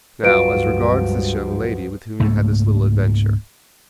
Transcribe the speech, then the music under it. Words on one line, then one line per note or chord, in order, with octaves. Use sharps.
Now, as regards this young lady, with whom you had this little adventure.
C#2 G2 F3 F#3 F4 F#4 B4 D7
C#2 G#2 A3 A#3